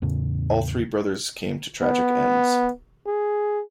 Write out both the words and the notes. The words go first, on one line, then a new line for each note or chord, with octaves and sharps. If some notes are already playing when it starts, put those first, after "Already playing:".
All three brothers came to tragic ends.
E2 A2 C#3
B3
G#4